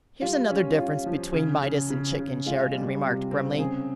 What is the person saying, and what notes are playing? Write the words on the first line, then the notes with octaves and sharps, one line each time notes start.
"Here's another difference between Midas and chicken," Sheridan remarked, grimly.
G3 F4
C#4
F4
F3
C#3
C#3
C#3
C#3
G#3 F4
G3
C3
C4
C#3 G#4